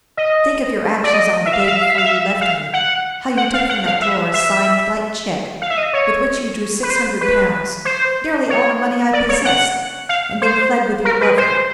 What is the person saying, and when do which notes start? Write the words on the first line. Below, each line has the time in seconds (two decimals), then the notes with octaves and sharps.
Think of your actions on the day before you left me; how you took from that drawer a signed blank cheque, with which you drew six hundred pounds,--nearly all the money I possessed,--and then fled with your lover.
0.17 D#5
1.04 D5
1.14 D#5
1.46 E5
1.53 F5
1.60 E5
1.68 F5
1.76 E5
1.83 F5
1.90 E5
1.98 F5
2.06 E5
2.41 F5
2.73 F#5
3.37 F#5
3.54 F5
3.69 F#5
3.86 F5
4.02 E5
4.34 E5
5.62 F5
5.70 E5
5.78 D#5
5.93 C#5
6.83 B4
6.90 C5
7.21 B4
7.85 C5
8.50 C#5
9.13 D5
9.29 C#5
9.45 F#5
10.09 F5
10.42 C5
11.05 A#4
11.21 B4
11.37 C5